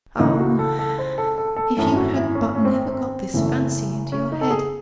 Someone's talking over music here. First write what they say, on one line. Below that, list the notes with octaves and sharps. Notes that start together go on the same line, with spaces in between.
'Ah! if you had but never got this fancy into your head!
C#2 C#3 E3 A3 D#4
F#4
A4
A4
C5
A4
A4
A4
G#1 F#2 E3 A3 A4
F#4
E4
C#4
C#4
C4
C4
F#1 F#2 E3 A3
C#4
D#4
A4
G#4